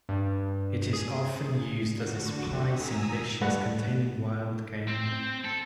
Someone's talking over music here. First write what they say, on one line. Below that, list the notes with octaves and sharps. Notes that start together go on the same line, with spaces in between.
It is often used as a spice in dishes containing wild game.
G2
G#4
D3 F#4
G#5 A#5 D#6 E6
G3 A3 B4 F#5
C4
A4